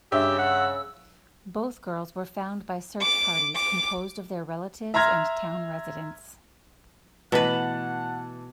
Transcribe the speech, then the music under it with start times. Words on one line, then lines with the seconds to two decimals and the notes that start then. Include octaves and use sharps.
Both girls were found by search parties composed of their relatives and town residents.
0.12 G2 C#3 G4 E5 E6
0.39 F#5
3.01 D6
3.56 D6
4.94 E5 A#5 C6 F6 G#6 A#6
7.32 B2 E3 A3 B4 F#5 A5